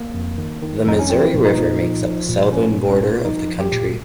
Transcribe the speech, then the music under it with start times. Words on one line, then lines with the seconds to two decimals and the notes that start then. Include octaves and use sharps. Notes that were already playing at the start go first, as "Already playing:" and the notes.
The Missouri River makes up the southern border of the county.
Already playing: A#3
0.14 F2
0.38 D#3
0.62 D#3
0.86 F2 D#4
0.99 C#4
1.10 F3 C4
1.34 A#2
1.45 D#4
1.57 A#2
1.81 F3
2.05 F3
2.28 A#2
2.53 F3 C#4
2.76 A#2
2.88 C#4
3.00 A#2
3.24 F3 D#4
3.48 F3
3.60 G4
3.72 A#2